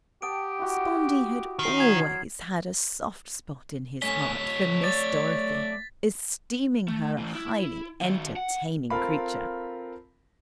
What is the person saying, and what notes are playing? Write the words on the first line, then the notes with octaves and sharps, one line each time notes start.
Spondee had always had a soft spot in his heart for Miss Dorothy, esteeming her a highly entertaining creature.
G4 F#5 G5 A5 D#6 D7
E4 F#4
D#3 C6 F6 C7
F#3 G#6
A3 C#4 D#5 B6
C#5
D5 A6
A3
A2 E3
E4
D#3 F#4
F#5
C4 F4 A4 A#4 F5 B5